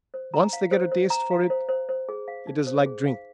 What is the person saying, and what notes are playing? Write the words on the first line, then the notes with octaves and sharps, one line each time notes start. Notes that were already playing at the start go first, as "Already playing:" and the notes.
Once they get a taste for it it is like drink.
C5
A#5
F5
C5
C5
A#5
F5
C5
C5
C5
G#4
F5
D#4
C5
G#4
F5